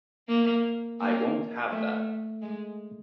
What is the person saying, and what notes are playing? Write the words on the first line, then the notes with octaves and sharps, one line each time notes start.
I won't have that.
A#3
A#3
A3
G#3